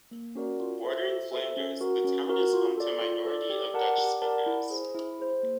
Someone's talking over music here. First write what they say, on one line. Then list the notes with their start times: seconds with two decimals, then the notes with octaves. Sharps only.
Bordering Flanders, the town is home to a minority of Dutch-speakers.
0.11 A#3
0.35 C#4 F#4 A#4 D5
0.60 F4
0.84 A4 C5 E5
1.08 F4
1.32 A4 C5 E5
1.57 C#4
1.81 F#4 A#4
2.04 C#4
2.29 F#4 A#4
2.53 F4
2.77 A4 D5
3.01 F4
3.25 A4 D5
3.50 G4
3.74 A#4 D5 F#5 A5
3.98 G4
4.22 A#4 D5 F#5 A5
4.46 E4
4.70 G#4 C5
4.95 E4
5.19 G#4 C5
5.43 A#3